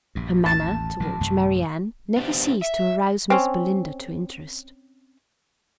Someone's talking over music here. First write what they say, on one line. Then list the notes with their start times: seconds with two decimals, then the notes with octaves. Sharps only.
Her manner toward Mary Anne never ceased to arouse Miss Belinda to interest.
0.15 A#1 G2
0.46 A1 D#2 A5
1.00 A1 F3 F#3
1.20 A1 F#2 C3
2.17 B3 D4 G4 C5
2.62 E5
3.30 C4 C#4